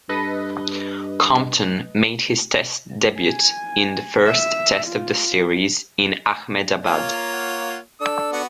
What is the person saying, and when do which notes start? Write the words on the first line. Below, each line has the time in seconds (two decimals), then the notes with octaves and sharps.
Compton made his test debut in the first Test of the series in Ahmedabad.
0.09 G2 A4 B4 D#5
3.18 G#5
4.26 E5
4.87 F4
6.85 A#3 F4 C#5
7.15 A#5
7.33 F#5
8.00 D4 A4 D5 E6
8.32 B3 F#4 F#5